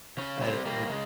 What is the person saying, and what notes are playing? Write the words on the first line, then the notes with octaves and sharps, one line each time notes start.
uh, with
C#3 C#4
G3 C4
G3 A#3
C#3 G#3